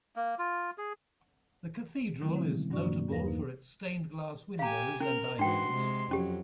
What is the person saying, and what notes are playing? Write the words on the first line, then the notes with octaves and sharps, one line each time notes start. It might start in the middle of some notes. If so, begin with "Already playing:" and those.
The Cathedral is notable for its stained glass windows and icons.
A#3
F4
G#4
D3 D#3 F#3 A3 C4 E4
B2 D3 E3 G#3 C4 C#4
G2 F#3 D4 F#4 D5 C#6
A#3
E2 A#3 A#4 B4 F5 A#6
A#3 D#4
G4 F5 G#5 A#5
C#4 A#4 F6
G#2 E3 D4 F#4 G5 C6
C3 G#3
F2 F#3 C#4 G4